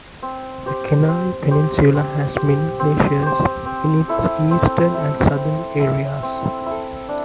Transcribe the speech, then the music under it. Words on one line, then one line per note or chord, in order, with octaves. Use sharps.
The Kenai Peninsula has many glaciers in its eastern and southern areas.
C4
G4 C5
C4
G4 C5
C4
G4 C5
C4
G4 C5
C4
E4 A4
C4
E4 A4
C4
E4 A4
C4
E4 A4
D4